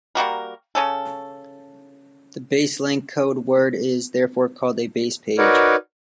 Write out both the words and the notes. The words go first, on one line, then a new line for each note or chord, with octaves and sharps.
The base link code word is therefore called a base page.
G3 A#3 F#4 A#4
C#3 C#4 A4
D#4 F#4 A#4 B4 C#5 D5